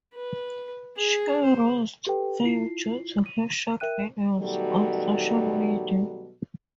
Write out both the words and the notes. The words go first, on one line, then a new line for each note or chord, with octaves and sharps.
She rose to fame due to her short videos on social media.
B4
G#4
C5
G4 A4 B4 G5
E4 F4 C7
D#7
A#4 E5 G5 F#6 D#7
B2 D#3 F#3 G3 A3